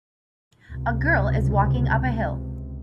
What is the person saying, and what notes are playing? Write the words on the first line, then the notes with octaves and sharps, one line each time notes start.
A girl is walking up a hill.
C#2 C3